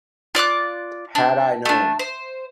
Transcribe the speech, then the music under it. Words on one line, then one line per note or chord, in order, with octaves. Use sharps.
Had I known!
F4 D5 D6 F#6
D4
A3 D4
C5